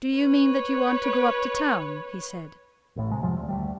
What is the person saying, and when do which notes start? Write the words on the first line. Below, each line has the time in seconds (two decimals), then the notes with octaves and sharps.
"Do you mean that you want to go up to town?" he said.
0.17 B4 C#5
2.96 A1 A2
3.11 C3 G#3
3.23 F2 C3 F3 F#3
3.37 D2
3.49 D2 F#3 G3